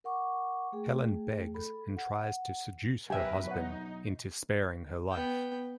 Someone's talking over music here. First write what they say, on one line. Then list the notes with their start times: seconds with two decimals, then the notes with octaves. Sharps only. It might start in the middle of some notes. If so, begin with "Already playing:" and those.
Helen begs and tries to seduce her husband into sparing her life.
0.04 A#4 F#5 C#6 D6
0.72 A3 G#4 G5
1.55 A4 B5
1.97 F#5
3.10 B1 G4 A#4 B4 E5 G5 G#5
3.47 D#4 C#5 F#5
5.11 B3 G5